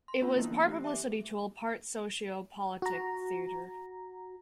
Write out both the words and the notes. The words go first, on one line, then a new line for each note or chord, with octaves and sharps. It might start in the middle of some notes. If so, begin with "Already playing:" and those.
It was part publicity tool, part socio-political theatre.
C6
A#3 B3 C#4 D4 F4
E3 A#3 B3 C#4 E4
E3 F#3 C#4
A3 G4 A#6
E5 G#5 D6
F#4 A#5